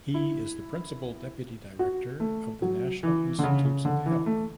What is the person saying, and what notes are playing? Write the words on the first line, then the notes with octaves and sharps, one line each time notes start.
He is the principal deputy director of the National Institutes of Health.
E4
F#4
A3
F#3
E3
D3
C#3
C#3
D3
E3
A3